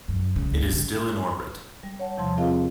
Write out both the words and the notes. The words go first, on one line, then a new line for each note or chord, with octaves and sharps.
It is still in orbit.
F#2
C#3
D2
D3
G3
C#5 F#5 A5
E2 C3 F3 A5 C6
C4 F4 G#4 A#4 D#5 F5